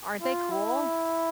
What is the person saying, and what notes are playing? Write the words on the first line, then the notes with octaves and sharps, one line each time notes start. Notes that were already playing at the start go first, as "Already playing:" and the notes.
Aren't they cool?
F4
E4